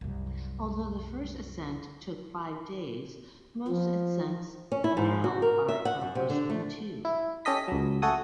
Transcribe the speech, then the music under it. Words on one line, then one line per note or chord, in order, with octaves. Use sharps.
Although the first ascent took five days, most ascents now are accomplished in two.
C2 F#2
F3
C#4
E4
G#2
F#4
A#4
E5
F#5
F#2
C3
D3
A3
E4
C#4 G4 A4 D#5 B6
C#2 F#3
A3 F#4 A4 G#5 D#6